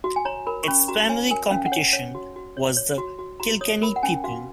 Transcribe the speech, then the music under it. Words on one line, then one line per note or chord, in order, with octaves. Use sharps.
Its primary competition was the "Kilkenny People".
F#4
G#5
C#5 A#5
A#4 B5
C#6
C#4 B5
F#4 A#5
C#5 G#5
A#4 G#5
C#4 F5
F#5
C#5 G#5
C#5
F#4
F#4
C#5
C#5
F#4
F#4
F#4 A#5
C#5 D#6
A#4 B5
F#5
C#4 G#5
F#4 F5